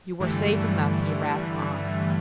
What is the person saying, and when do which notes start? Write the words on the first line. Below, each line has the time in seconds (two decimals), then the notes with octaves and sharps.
"You were safe enough," he rasped on.
0.20 G2 D3 E3 G3 A3